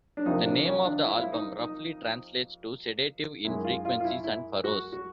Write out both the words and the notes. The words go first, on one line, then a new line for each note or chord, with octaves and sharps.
The name of the album roughly translates to sedative in frequencies and furrows.
D4
F2 C3 F3 A#3 D#4
D4
C#4
D4
E4
F4
E4
D#4
D#4
F#2 D#3 G#3 E4
F4
F4
F4
E4
E4
F#4
F#4